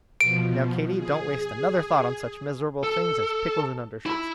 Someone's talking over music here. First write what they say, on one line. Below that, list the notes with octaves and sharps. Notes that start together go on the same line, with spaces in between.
Now, Katy, don't waste another thought on such miserable things as pickles and undershirts.
B2 F3 D7
G#4
A4
E4 B5